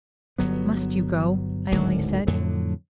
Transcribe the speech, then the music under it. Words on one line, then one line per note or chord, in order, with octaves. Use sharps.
"Must you go?" I only said.
G1 F#3 B3
D1 G#1 D2 G#2
F2 A2 D3 F#3